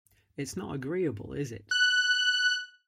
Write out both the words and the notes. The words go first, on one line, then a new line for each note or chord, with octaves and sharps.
It's not agreeable, is it?
F#6